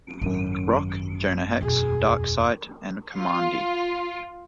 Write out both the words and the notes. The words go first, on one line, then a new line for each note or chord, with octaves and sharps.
Rock, Jonah Hex, Darkseid, and Kamandi.
G#1 F#2 D#3 D4
E2 B2 G#4
F4